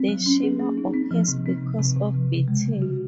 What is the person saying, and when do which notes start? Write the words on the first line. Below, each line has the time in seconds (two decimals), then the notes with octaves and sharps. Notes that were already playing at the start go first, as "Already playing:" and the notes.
The shimmer occurs because of beating.
Already playing: C4
0.09 F#3
0.26 C#4
0.43 G#4
0.60 A#3
0.78 D#4
0.94 C4
1.11 F3
1.28 C3
1.46 C4
1.62 C3
1.79 C3
1.97 C3
2.15 F3
2.31 C#3
2.48 G#3
2.66 C#3
2.82 F#4